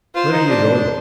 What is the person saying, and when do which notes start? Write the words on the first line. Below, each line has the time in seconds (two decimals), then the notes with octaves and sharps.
"Where are you going?"
0.15 F4 C5
0.32 D#4
0.50 D4
0.67 D4